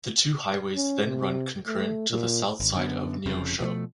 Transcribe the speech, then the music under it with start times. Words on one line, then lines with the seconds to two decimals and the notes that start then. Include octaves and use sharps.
The two highways then run concurrent to the south side of Neosho.
0.76 C#4
1.06 C3
1.67 A3
2.10 A#2
2.60 G#1
2.74 F#2 D3 B3
3.26 F1 F2 C#3
3.61 B2 F3 F#3 A3